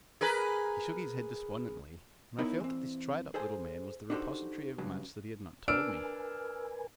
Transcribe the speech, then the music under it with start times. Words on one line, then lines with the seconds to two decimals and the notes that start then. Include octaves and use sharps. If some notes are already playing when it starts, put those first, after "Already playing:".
He shook his head despondently, and I felt that this dried-up little man was the repository of much that he had not told me.
0.21 G#4 A#4 B4
2.38 B3 D#4 E4 A#4 C#5
2.60 E3 C4
3.34 G#4 A4 C5 G#5
4.10 D4 D#4 F#4 G4 A4 C5
4.78 G2 C#3 F#3
5.68 D4 A#4 B4 G#5 E6 F6 D7